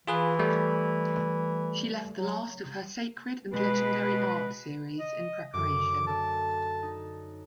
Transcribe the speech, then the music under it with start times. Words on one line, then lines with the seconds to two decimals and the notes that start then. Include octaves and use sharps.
She left the last of her "Sacred and Legendary Art" series in preparation.
0.07 E3 F4 G#4 B4
0.39 G3 A3
2.16 F#3
3.53 B2 G#3 B4
4.99 D#5
5.54 F#2 D3 D6
6.07 A4 A5
6.82 D#4